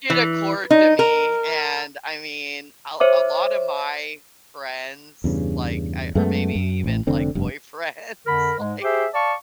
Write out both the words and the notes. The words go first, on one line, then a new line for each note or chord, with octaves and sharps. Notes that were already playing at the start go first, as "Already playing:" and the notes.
did accord to me, and, I mean, a a lot of my friends, like, I or maybe even, like, boyfriends, like,
E3
D#4
A#4
C5 C#5 E5 D6
E2 G2 C#3
F#2 G#3 A3 B3
F#2
A1 A2
F1 D3 C4
F1 G2
F2 D3 A#4 B5
G#2 G#3
G4 G#4 C5 E5
D5 F5 A5 C#6